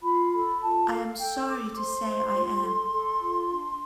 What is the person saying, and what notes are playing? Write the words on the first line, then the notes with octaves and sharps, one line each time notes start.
I am sorry to say I am.
F4 B5
A4 B5
F4 A5
A4 F5
A4 G5
A4 D6
C5 C6
C5
F4
A4
A4
F4
D4